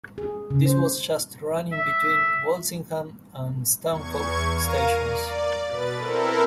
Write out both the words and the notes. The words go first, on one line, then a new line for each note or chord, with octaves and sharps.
This was just running between Wolsingham and Stanhope Stations.
G#4
C#3
C5
E5
E2 C#6 G#6
A#4 F5 A#5 D#7
D5
B2 B4 A6
C4 E4 A4 A#4